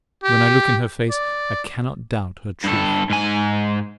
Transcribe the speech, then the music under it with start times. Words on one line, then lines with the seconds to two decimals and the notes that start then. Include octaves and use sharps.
When I look in her face, I cannot doubt her truth!
0.24 G4
1.10 D5
2.64 G2 A4
3.10 G#2 G#5